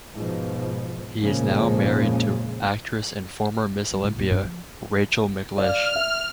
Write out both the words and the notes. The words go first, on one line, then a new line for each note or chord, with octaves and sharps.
He is now married to actress and former Ms. Olympia, Rachel McLish.
G#2 B2 F3
F2 A#2 C#3 F3 G#3 A#3
F2 F#3
A2
D#2 A#2
G2 C#4
F3
D5 F5 F6
E5